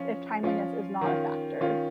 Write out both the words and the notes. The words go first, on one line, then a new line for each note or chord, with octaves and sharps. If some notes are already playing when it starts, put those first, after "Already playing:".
if timeliness is not a factor
Already playing: F3 C#4 F4
F3 C#4 F4
D#3 C#4 F4
D#3 C#4 F4